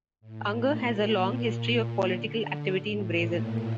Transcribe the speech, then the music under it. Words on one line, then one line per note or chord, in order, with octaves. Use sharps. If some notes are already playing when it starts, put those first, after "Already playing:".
Unger has a long history of political activity in Brazil.
A2
A#2
A#2
A#2
D3
A2
A#2